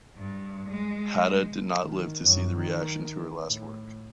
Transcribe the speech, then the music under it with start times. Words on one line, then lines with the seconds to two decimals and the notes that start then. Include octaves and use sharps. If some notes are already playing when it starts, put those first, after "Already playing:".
Hatta did not live to see the reaction to her last work.
0.17 G2
0.69 G#3
1.82 D#3
2.24 F#2
2.57 D#3
3.45 A2